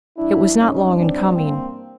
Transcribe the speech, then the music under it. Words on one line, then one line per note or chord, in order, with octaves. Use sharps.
It was not long in coming.
G2 E3 D4 E4
C#4 D#4
C4 D4
A#3 C4